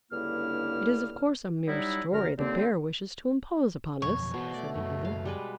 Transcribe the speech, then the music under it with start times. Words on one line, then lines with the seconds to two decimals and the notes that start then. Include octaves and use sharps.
"It is, of course, a mere story; the Bear wishes to impose upon us," said the other.
0.12 C#2 G2 D3 A#3 E4 F6
1.68 F#3 G3 D#4 E4
2.12 F#2 D3 A#4 F6
2.38 D#2 D3 G3 A#3 C4
4.02 B1 F2 C#5
4.34 B2 E3 C4
4.54 A3 D5
4.75 C#2 F#2
5.05 F5
5.25 G3 G#3 B4